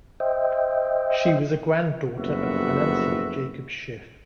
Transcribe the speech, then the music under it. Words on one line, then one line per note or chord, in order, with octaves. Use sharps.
She was a granddaughter of financier Jacob Schiff.
C5 D#5 E5 G5
F#1 F2 B3 F#4 E5